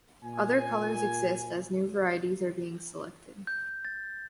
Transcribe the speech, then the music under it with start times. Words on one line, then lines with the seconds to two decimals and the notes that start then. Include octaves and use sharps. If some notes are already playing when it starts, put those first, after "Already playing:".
Other colors exist as new varieties are being selected.
0.24 A#2 G#5
3.47 G6
3.85 A6